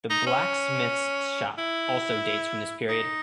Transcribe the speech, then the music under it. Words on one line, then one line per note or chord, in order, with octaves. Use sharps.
The Blacksmith's Shop also dates from this period.
D#4
C#4
E4
D#4